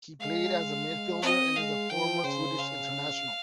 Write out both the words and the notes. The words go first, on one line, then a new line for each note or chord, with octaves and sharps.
He played as a midfielder and is a former Swedish international.
G#3 F5
G#3
C4 D#5
G#3 F5
F3 G5
C#3 C5
F5